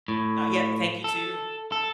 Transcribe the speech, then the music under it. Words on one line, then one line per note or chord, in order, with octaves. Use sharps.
Oh, yeah, eh, thank you, too.
A2
A4
A4